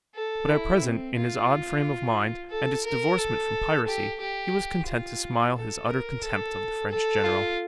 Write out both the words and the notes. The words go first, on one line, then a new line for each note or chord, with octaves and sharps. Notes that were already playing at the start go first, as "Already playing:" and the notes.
But at present, in his odd frame of mind, and its divorcement from piracy, he was content to smile his utter contempt of the French General.
A4
E4
C4
F4
A4
A#4
A4
G4
G4
F4
A4
A#4
A4
A4
F4